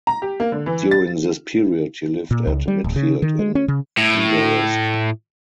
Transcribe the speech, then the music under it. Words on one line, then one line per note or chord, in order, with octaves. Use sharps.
During this period he lived at Midfield in Inveresk.
A#5
G4
A#3
D3
E3
A6
A#2
C#2
G3
D1
C#3
D#3
G#3
C#4
C#3
A2